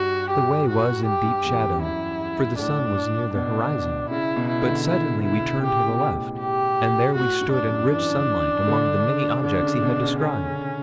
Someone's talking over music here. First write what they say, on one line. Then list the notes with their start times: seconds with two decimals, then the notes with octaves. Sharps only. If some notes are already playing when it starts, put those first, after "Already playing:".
The way was in deep shadow, for the sun was near the horizon; but suddenly we turned to the left, and there we stood in rich sunlight, among the many objects he had described.
Already playing: G2 F#4
0.30 G4
0.69 F#4
1.06 G4
1.25 G2
1.44 E2
1.63 F#2
1.82 F#2 E4
2.58 A2 D4
3.34 B2 D4
4.10 C#3 E4
4.36 B2
4.49 E4
4.62 D3
4.87 E4
5.25 E4
5.63 C#3 G4
5.88 B2
6.14 A2
6.39 G4
7.15 A2 F#4
7.40 G2
7.53 D4
7.66 F#2
7.91 E3
8.67 D3
9.43 D3 D4
9.63 C#3
9.82 B2
10.01 C#3
10.19 D3 C#4
10.45 C#3